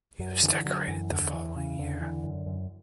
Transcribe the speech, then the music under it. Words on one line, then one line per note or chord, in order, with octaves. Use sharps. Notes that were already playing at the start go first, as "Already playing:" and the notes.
He was decorated the following year.
F#2 F#3
D3 E3
D3 F#3
F#2 E3
E2 D3
E2 E3
C#3 E3
E2 D3
D3 E3
F#2
F#2